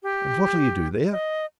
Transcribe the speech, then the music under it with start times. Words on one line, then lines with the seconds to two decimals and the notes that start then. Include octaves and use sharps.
And what'll you do there?
0.03 G4
1.12 D#5